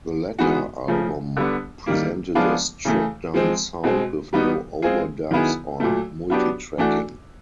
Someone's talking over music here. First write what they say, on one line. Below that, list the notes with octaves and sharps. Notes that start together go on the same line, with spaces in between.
The latter album presented a stripped down sound with no overdubs or multitracking.
E3 G#3 B3 D#4 F#4
C#3 F3 A3
D3 G3 B3
D#3 G3 A#3
F3 G#3 B3 D4 F4
C#3 E3 A3
F3 G#3 C4
B2 G#3 C4
G3 B3 D#4 F#4
G#3 C4 F4 G#4
D#3 F#3 B3 E4 G#4
A#2 F#3 A3
F#3 B3 D4 G4
E3 A3 D4 F#4